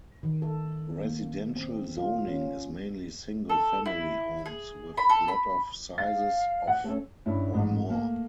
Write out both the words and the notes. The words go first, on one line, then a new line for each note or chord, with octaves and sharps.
Residential zoning is mainly single family homes with lot of sizes of or more.
D#3
A4
A#3
C4
F4
C#4
A4
E4
G#4
B5
A4
B5
F5 A6
F#5
A3 C#4 A4
G2 C#4 E4
A1 G#2
A3 A#3